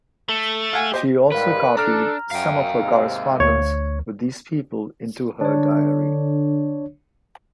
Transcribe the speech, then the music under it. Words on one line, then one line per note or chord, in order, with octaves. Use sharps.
She also copied some of her correspondence with these people into her diary.
A3
F5 F#5 G#5
G4 C5 D#5
G#2 G3 A#4 B4 F5
D4 A4 A#5 F6
F#2 F5 G5
D#2 G#2 C3
D2 C#5
D3 D4 C#5